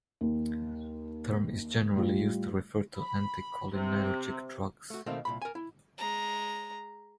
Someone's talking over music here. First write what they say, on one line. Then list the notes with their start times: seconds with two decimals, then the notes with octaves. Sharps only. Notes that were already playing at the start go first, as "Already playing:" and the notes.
The term is generally used to refer to anticholinergic drugs.
0.21 D#2
1.95 A2 G3 F4
2.99 B5
3.72 C3
4.90 A3 F#4
5.06 B2 D#3 A3 A#3 C4
5.25 C2 A#2 B5
5.42 A#4 G#5
5.55 E4
5.98 G#3 A#5